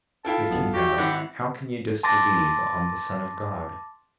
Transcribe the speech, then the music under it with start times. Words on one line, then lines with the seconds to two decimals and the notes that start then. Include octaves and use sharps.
If ye have, how can ye disbelieve on the Son of God?
0.25 E4 F4 A4 G5 A5 G#6 D7
0.50 B1 G2 B3
0.74 F#4 G4
0.98 G#1 E4 F#5 C#6 A#6
2.03 A5 C6 D6 A6 A#6